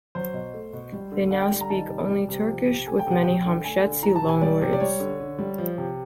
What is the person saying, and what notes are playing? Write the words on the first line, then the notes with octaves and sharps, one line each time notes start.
They now speak only Turkish with many Homshetsi loanwords.
F#3 C5
B2
A3
B2
G3
D3
D3 F#5
G5
G3
A#5
D#3 A5
C3
G3
C3
F3
C3
A3 G#5
G5
C3 F#5
F#3 G5
D3
A3 G#5
D3
E3 A#5
A5
C3
G#5
G3 D5
C3
D5
G3 C#5
D3
D3
G3
F3
C3